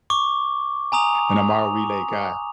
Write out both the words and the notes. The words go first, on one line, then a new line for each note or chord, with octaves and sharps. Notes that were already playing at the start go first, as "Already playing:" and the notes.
and I'm our relay guy.
C#6 D6
G#5 A#5 D#6 F7